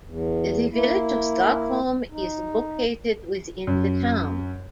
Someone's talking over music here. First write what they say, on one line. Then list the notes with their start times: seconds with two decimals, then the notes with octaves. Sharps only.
The Village of Stockholm is located within the town.
0.03 E2
0.71 A#3 E4
2.11 D#4
3.67 F#2